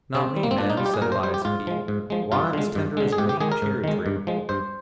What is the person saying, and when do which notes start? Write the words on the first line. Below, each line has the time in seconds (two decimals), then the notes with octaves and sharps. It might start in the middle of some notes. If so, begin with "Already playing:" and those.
'Not me, ma'am,' said Elias P. 'Why, I'm as tender as a Maine cherry-tree.
0.15 C3 C4
0.36 G3
0.43 A#3
0.51 C4
0.58 A#2 D4
0.70 D#4
0.77 G3 F4
0.86 G4
0.94 G#4
1.02 A#2 A#4
1.12 C5
1.23 G3 C5
1.34 G4
1.45 G#2 F4
1.67 F3 G#3
1.88 G#2
2.10 F3 G#3
2.32 G2 F4
2.53 D3 G#3
2.75 G2
2.97 D3 G#3
3.13 G#4
3.18 G#2 G4
3.29 G4
3.40 D#3 G#3 G#4
3.52 A#4
3.62 G#2
3.84 D#3 G#3
4.06 G2
4.27 F3 G#3
4.49 G2 C5